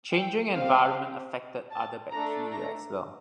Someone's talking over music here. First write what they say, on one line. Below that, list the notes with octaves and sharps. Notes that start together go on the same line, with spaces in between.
Changing environment affected other bacteria as well.
G5
C4 G4 F5
A5
A3 D4 A4 A#5
A#5